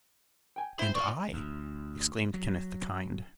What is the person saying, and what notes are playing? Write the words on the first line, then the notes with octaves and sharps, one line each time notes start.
"And I," exclaimed Kenneth the Kind.
G5 G#5
E4 C5
F4 D5 C#6
D2
F#3